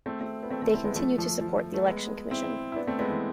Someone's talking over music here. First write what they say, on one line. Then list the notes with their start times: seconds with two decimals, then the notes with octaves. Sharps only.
They continue to support the election commission.
0.06 A3 C4
0.21 A3 C4
0.43 B3
0.50 A3 C4
0.62 A3 C4
0.73 C4 E4
0.84 G#3 B3
0.96 F3 A3
1.18 F3 A3
1.41 F3
1.74 A3
1.86 G#3 B3
2.31 C4 E4
2.72 E4
2.76 B3 D4
2.87 A3 C4
2.99 G#3 B3
3.10 E3